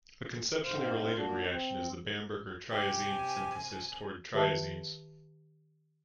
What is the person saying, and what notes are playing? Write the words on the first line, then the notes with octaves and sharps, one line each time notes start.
A conceptually related reaction is the Bamberger triazine synthesis towards triazines.
G#2 C3 C5 F5
A#2 D4 F#4
C4
C3 G4 G#5
D#3 G4 B4 E5 A5